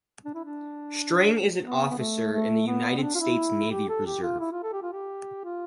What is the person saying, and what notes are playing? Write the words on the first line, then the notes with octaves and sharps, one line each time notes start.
String is an officer in the United States Navy Reserve.
D4
E4
D4
B3
B3
A3
A3
B3
C4
D4
F4
E4
G4
A4
G4
F4
E4
F4
A4
G4
F4
G4
F4